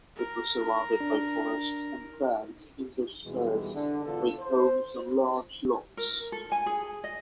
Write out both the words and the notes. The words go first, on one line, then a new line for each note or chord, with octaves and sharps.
It is surrounded by forests and farms interspersed with homes on large lots.
A#4
D4
B1 B2 E3 G3 G#3
D3
B1 E2 D3 F4 A4
C5
A#4
A4
G#5
G#4
D#5